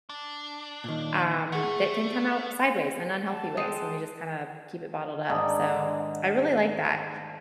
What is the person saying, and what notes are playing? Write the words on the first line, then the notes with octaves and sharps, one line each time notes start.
um, that can come out sideways and unhealthy ways when we just kinda keep it bottled up. So, I really like that.
D4
A#2 D#3
A3 G#4 F#5
F#5 A5
G#3 A4 F#5 G5 D#6 C7 D#7
G#2 D#3 D4